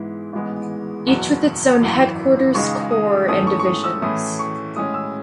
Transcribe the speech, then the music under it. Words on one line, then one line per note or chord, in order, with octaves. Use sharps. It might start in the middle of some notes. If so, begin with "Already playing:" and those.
Each with its own headquarters, corps, and divisions.
Already playing: G#2 E3 G#3 B3 E4
A1 G#2 E3 G#3 B3
F#1 E2 B2 F#3 F#5
G#1 F#2 E3
C#2 C#3 G#3 D#4 C#6
D#6
G#2 E3 A3 C#4 D#6
C#6
C#6
D#6
E6
A2 E3 A3 C#4 E4 D#6
C#6
A1 A2 G#3 C#4 D#6
E6